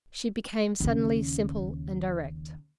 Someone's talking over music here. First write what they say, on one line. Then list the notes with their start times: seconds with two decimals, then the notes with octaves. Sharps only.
She became suddenly simple and direct.
0.80 D#2 C#3